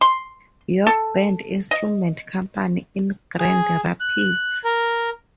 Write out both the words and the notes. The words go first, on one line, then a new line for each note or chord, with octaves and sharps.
York Band Instrument Company in Grand Rapids.
C6
A4
D#5
G#4
F#6
A#4